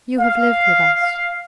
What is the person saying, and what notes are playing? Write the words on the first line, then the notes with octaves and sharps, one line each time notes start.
You have lived with us.
F5
F5